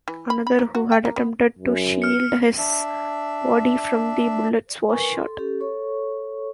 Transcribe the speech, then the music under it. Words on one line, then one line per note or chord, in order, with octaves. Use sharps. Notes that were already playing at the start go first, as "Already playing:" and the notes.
Another who had attempted to shield his body from the bullets was shot.
E3
B5
B5
A#3
F#4
G5
A#3
B3
F#2
F6 C#7
D4 E5
A#4 B4 G#5 C#6
A4 C6
C#4 G4 A4
A4 C#5 C#6